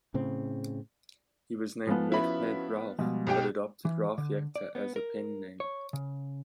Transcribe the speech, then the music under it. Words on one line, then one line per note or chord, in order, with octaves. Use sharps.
He was named Mehmed Rauf but adopted Rauf Yekta as a pen name.
A2 C#3 C4
G#2 F3 G#3 B3 A4
C#4 E4 F#4 B4 B5
B2 F3 G3 G#3
B1 G4 G5
E3
D3
D5
B3
A#4
C#5
C#3